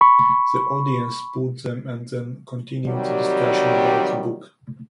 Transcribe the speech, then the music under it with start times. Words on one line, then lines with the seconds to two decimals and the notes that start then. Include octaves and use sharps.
The audience booed them and then continued the discussion about the book.
0.01 B5 C#6
2.86 C3 D#3 F#3 G3